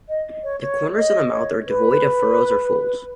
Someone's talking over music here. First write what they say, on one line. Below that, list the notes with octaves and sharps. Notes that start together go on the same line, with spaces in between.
The corners of the mouth are devoid of furrows or folds.
D#5
C#5
C#5
D#5
C#5
B4